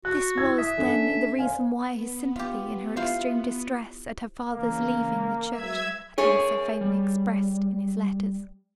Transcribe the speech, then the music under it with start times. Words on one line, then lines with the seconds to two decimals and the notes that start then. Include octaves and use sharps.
This was, then, the reason why his sympathy in her extreme distress at her father's leaving the Church had been so faintly expressed in his letters.
0.05 F#4 F#6
0.38 E4 E6 G#6
0.59 E5 D#6
0.78 C#4 D4 A4
1.38 C5 F5 G#5
1.86 B3
2.36 F4 G4
2.96 E4 F4 C5
4.54 C#3 E3 A#3 C#4
5.51 F#3 G#3 B4 E5 G#6
6.18 G#4 A#4 C#5 E5
6.81 G3